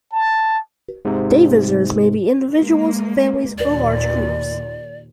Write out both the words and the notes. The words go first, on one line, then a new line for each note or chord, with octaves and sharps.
Day visitors may be individuals, families, or large groups.
A5
G#2 C3
G#3 A#3
D#2 A#2 D5